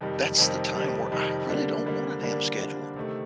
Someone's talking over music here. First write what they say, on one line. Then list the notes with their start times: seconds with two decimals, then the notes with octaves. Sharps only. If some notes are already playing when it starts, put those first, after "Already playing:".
that's the time where I really don't want a damn schedule.
0.01 F2 C3 D#3 G3
0.38 F2 C3 D#3 G3
0.75 F2 C3 D#3 G3
1.12 F2 C3 D#3 G3
1.49 D3 G3 A#3 D4
1.86 D3 G3 A#3 D4
2.23 D3 G3 A#3 D4
2.59 D3 G3 A#3 D4
2.96 C3 D#3 A3